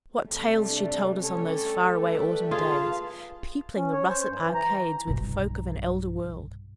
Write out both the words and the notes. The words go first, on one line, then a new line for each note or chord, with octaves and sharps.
What tales she told us on those far-away autumn days, peopling the russet arcades with folk of an elder world.
C3 G3 A3
D4
G3 A3 C#4 A4 C#5
B4 E5 G5
F4 G#4 B4 F5 A5
C#4
C#5
C5
G2
E3
A#5
B1 G2